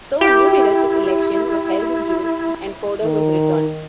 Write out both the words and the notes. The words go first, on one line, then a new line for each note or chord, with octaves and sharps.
So a new leadership election was held in June and Fodor was returned.
E4 G4
D#3